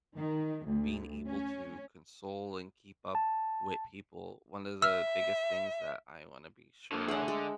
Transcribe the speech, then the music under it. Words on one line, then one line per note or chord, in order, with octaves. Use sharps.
being able to console and keep up with people. One of the biggest things that I wanna be sure of
D#3
D2
C#4
A5
E5 E6 F6
D3 A#3
D3 A3 G#4 C#5 F#5 G#5
G#3 D#5